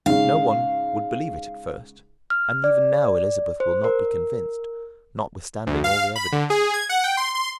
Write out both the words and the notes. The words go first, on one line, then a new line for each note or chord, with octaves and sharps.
No one would believe it at first; and even now Elizabeth will not be convinced, notwithstanding all the evidence.
G#2 C#3 F5
F6
D5
C5
A#4
D2
F5
B5
D3
G#4
G#6
F#5
G5
C6
C6